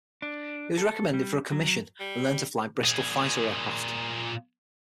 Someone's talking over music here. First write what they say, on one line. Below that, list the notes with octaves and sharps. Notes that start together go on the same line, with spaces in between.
He was recommended for a commission and learned to fly Bristol Fighter aircraft.
D4
A4
G3
F#3
G3
A#2 G#4